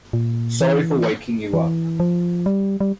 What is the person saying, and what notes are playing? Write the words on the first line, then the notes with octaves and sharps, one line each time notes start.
Sorry for waking you up.
A#2
E3
E3
F3
G3
G3